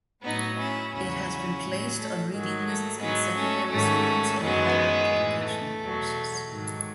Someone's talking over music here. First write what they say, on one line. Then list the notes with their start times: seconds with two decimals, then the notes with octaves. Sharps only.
It has been placed on reading lists in secondary schools and higher education courses.
0.23 A2 F#3 B3 D#4
0.58 C#4 E4
0.92 E2 C#3 F#3 C#4 E4
1.62 A2 F#3
1.97 A3
2.32 G#2 D#3 F#3 G#3
2.67 A3
3.01 G#2 F#3 G#3 B3
3.36 A3 C#4
3.70 G#2 D#3 F#3 A3 C#4
4.39 F#2 D#3 F#3 G#3 B3
5.09 A2 E3
5.44 A3
5.79 E2 B2 F#3
6.48 G#2 D#3 F#3